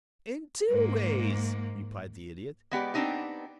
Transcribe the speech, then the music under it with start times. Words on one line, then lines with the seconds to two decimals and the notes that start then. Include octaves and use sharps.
"In two ways," replied the Idiot.
0.69 G#2 A#3
2.71 G#3 B3 G4 D5
2.94 B3 C4 D4 D#4 G4